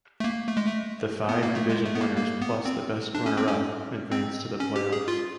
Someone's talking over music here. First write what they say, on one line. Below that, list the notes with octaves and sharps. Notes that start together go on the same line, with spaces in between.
The five division winners plus the best runner-up advance to the playoffs.
A3
A#3
A3
G#3
A3
B3
A#3
A3
G#3
A3
B3
A#3
A#3
B3
C4
D4
C#4
C4
C#4
C4
C#4
G4
G#4
F4